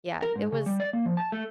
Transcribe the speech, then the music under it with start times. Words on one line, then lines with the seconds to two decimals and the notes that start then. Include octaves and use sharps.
Yeah, it was
0.22 A#4
0.36 G#2
0.52 C#3
0.66 G3
0.80 D5
0.93 A#3
1.05 F3
1.17 A5
1.32 A3